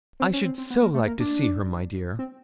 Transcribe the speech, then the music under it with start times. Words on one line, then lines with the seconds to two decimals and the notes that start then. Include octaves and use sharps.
'I should so like to see her, my dear.
0.20 C4
0.33 C#4
0.45 C4
0.58 C4
0.70 B3
0.82 A#3
0.94 A3
1.07 A#3
1.20 D4
2.19 C4